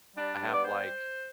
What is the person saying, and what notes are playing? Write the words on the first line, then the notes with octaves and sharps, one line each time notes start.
I have like,
G3 D4
G2
B3
D5
G3 C5